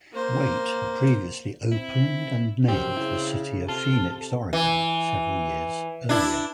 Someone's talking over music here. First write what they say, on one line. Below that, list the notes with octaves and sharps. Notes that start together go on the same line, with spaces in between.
Wait previously opened, and named, the city of Phoenix, Oregon several years earlier.
A#3 C5
C4 E4
F#2 F3 C4 G4
C#3 E4
C3 F4 A4
E3
D4 E4